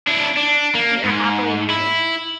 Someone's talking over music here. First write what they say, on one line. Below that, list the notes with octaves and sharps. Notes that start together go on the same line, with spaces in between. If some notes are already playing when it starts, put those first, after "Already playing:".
We are happily married.
D4 E4
D4
A#3
G#2
E4